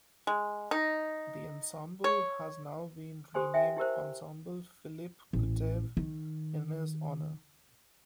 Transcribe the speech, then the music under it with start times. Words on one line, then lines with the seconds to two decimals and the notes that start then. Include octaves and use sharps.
The ensemble has now been renamed Ensemble Philip Kutev in his honor.
0.27 G#3
0.71 D#4
2.04 C#5
3.34 G4 A4 C5 G#5 C6
3.54 E5 G5 G#5
3.77 E4 G4 A#4 C5
5.33 A1
5.97 D#3